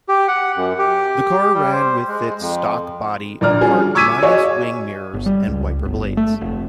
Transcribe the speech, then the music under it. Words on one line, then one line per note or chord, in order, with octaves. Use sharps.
The car ran with its stock body apart minus wing mirrors and wiper blades.
G4
F#5
F#2
G4
G3
C5
G#3
F2
A#1 D3 D5 A#5 F6
G3 C#4 F4 G#4
C#6 D6 E6 G#6 B6 D#7
F#4 G#4 C#5 D#5 F5
G1
G3
C#2
G1
A3
F1